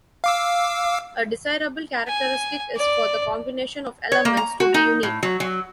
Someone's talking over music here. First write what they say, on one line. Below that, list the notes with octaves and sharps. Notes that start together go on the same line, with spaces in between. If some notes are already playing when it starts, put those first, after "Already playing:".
A desirable characteristic is for the combination of elements to be unique.
F5 D6 E6
G#5
D5
C#5
A#3
A#5
F#4
D#4
A2
F#3
F#3